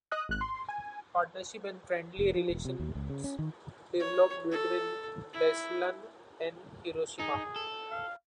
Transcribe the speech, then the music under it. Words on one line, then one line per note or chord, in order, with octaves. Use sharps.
Partnership and friendly relations developed between Beslan and Hiroshima.
D#5 D#6 F#6
G#1 F#6
C6
G#5
F1
F3
E1
C3
D#2
C#2
C#3
C#4
D#3
C#5
A4
E4
D#4 G#4
A4
F5